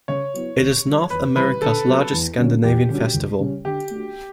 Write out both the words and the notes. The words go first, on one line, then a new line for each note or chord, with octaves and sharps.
It is North America's largest Scandinavian festival.
C#3 C#5
F#3 B3 E4
D2
D3 G3
E2 B4
C#3 E3 G3 B4
D3 A4
F#3 B3
E2
D3 F#3 C#4
E2 G4
D3 G3 C#4 F#4
C#2
C#3 G3 C#4
D3 G4
A3 D4 F#4